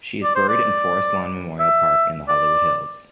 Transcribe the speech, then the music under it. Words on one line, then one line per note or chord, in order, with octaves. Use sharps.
She is buried in Forest Lawn Memorial Park in the Hollywood Hills.
D5
C5
D5
E5
D5